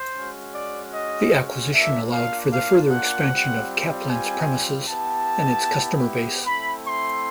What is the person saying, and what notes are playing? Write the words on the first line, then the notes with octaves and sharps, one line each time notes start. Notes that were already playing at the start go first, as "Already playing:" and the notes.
The acquisition allowed for the further expansion of Caplan's premises and its customer base.
Already playing: C5
G#3 C#4 F#4
D5
D#5
A#3 D4 F4 E5
F5
F5
F#5
G3 C4 F4
G#5
B3 E4 G4 A5
A3 C4 E4 B5
C6